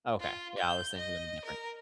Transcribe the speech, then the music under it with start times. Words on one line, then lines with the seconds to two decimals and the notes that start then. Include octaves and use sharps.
Okay. Yeah, I was thinking of a different
0.19 F4
0.58 G6
0.98 D#5
1.45 A#4